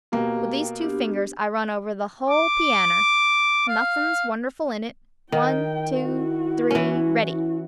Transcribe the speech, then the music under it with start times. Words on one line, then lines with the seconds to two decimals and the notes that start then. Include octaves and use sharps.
With these two fingers I run over the whole pianner. Nothin' wonderful in it: one, two, three--ready.
0.12 B2 A#3 G4 G5
0.81 B3 D4 G4
2.30 D6
3.68 F5
5.32 D#3 G5
6.00 E4 F#4
6.71 E3 C#4